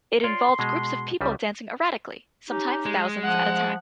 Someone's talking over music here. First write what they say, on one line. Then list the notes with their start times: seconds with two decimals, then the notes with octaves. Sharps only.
It involved groups of people dancing erratically, sometimes thousands at a time.
0.24 F4 C#5 D5 C6
0.59 B2 G#3
1.21 C#2 C#3 G3
2.50 C#4 D#4 G4
2.86 G#3
3.24 F3 F#5